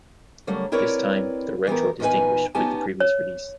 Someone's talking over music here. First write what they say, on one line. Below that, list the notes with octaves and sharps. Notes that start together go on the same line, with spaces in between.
This time, the retro distinguished with the previous release.
C#3 F#3 G3 A3 A#3
C4 E4 A#4 B4 C#5 D5
E3 B3 G4 A#4
E2 A#2 D#4 G4 B4 G#5
B3 C#4 D#4 G4 G#5 A5
C#5